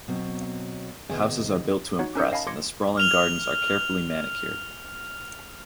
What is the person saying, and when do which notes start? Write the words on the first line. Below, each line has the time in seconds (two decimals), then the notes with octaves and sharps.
The houses are built to impress and the sprawling gardens are carefully manicured.
0.08 B2 F#3 C4
1.09 C3 D#3 B3 F#4 G#4
1.99 D#4 F#4 C#5 F#5
2.15 C#4 D#4 A#4 E6 G6 C#7
2.32 C#5 D#5 F5 G#5 A5 B5
2.47 C6 D6 G#6 A#6 C#7
2.97 F6 F7 G7